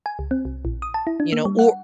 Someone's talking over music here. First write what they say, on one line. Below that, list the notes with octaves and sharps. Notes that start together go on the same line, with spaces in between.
you know or
G#5
C#2
C4
C2
A#1
D#6
A5
E4
D4
A#3
G3
F#5